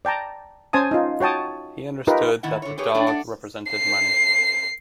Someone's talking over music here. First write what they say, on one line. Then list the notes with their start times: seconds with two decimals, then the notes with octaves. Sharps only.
He understood that the dog represented money.
0.05 D5 G5 A5 A#5
0.73 C#4 C5 G#5 A5 D#6
0.91 D#4 F4
1.20 F#4 C#5 G5 A5 D#6
2.07 D#4 F4 G4 A#4 B4
2.43 A#2 D#3 E4 F#5
2.62 D3 C#5
2.78 G4 G#4 B4 C#5
2.94 A3 D4 D5 G5
3.07 D4 D5 F#5
3.71 C7